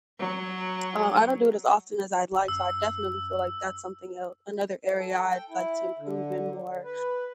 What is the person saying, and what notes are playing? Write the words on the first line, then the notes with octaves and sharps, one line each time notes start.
Um, I don't do it as often as I'd like, so I definitely feel like that's something el another area I'd like to improve in more,
F#3
G1
F#2 E6
A4
G5
E4
D3
B4